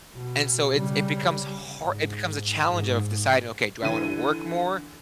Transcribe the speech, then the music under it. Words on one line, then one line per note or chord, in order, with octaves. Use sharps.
and so it's it becomes har it becomes a challenge of deciding, okay. Do I wanna work more,
B2
C#3 G3
G#2
G#2
D3 E3 D#7